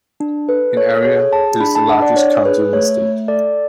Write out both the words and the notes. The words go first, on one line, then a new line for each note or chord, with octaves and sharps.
In area, it is the largest county in the state.
D4
A4 B4
A4 C#5
G#4 C#5
G#4 A5
D4 B5
A5
D4 F#5
D5
D4 C#5
G#4 B4
A3 C#5
A3
A4 D5